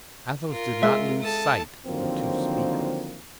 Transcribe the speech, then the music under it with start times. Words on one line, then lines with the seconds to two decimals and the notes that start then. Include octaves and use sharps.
Athos did not lose sight of the two speakers.
0.51 F4 A#4
0.83 G#3 E5
1.22 A4 A5 D#6
1.86 D3 D#3 F3 F#3 A#3 C4